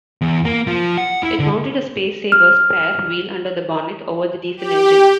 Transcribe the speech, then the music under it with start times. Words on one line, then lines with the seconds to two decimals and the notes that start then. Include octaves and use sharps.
It mounted a spacesaver spare wheel under the bonnet, over the diesel engine.
0.21 E2
0.45 A#3
0.67 F3
0.97 F#5
1.23 E4
1.39 D3
2.32 F6
4.57 G4